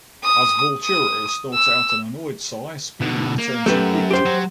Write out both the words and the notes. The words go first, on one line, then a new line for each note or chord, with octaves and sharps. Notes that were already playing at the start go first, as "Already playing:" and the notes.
As Vulturo snorts out an annoyed sigh, Speedy returns his beak to him.
D#6
D#6
E6
B2 D3
A#3
F#2 A3 G4 B4
G4 C5
F#3